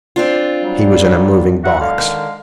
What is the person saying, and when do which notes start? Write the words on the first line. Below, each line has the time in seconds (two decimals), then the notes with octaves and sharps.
He was in a moving box.
0.16 C4 D4 F4
0.63 F#3 G3
1.64 F#4 E5 F#5
1.80 D3 G#3 F5
1.98 D#3